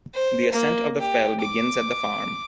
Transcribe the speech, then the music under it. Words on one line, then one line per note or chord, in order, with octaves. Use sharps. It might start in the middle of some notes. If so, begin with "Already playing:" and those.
The ascent of the fell begins at the farm.
C5
A#3
G4
D6